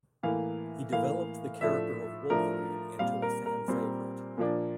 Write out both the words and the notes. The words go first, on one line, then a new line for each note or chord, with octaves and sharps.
He developed the character of Wolverine into a fan favorite.
A2 E3 A#3 F5
A2 E3 A#3 F5
A2 F3 A3 D4 E5
A2 F3 A3 D4 A#4
A#2 G3 C4 F5
A#4
A#4
A#2 G3 C4
A#2 F3 A#3 D4